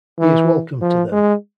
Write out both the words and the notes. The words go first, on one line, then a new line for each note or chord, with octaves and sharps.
He is welcome to them.
E3
F3
G#3